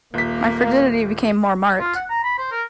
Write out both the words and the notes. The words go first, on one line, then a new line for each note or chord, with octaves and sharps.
My frigidity became more marked.
D#1 A#3 B6
F4
F#5
A#5
B5
C5
A#4